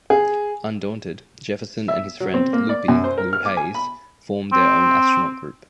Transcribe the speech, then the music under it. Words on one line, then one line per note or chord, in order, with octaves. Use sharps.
Undaunted, Jefferson and his friend "Loopie" Louie Hays form their own astronaut group.
G#4
E5
F#3
C4
A#3
D5
F#2
C5
A#4
F6
D6
G#5
B5
C4